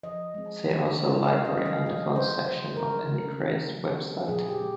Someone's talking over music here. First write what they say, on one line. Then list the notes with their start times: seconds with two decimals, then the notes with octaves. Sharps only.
See also library and the fonts section of Emigre's website.
0.03 F3 D#5
0.34 G#3 C4
0.64 D#3
0.95 G3 A#3 C#4
1.25 C3 F5
1.45 D#5
1.55 D#3 G3 C#4
1.65 F5
1.86 F3 D#5
2.16 C4 C5
2.46 C#3 C5
2.77 G#3 C4 A#4
3.07 C#3
3.38 G#3 C#4
3.68 F3
3.98 C4
4.28 A#2 G#4
4.48 G4
4.59 G#3 C4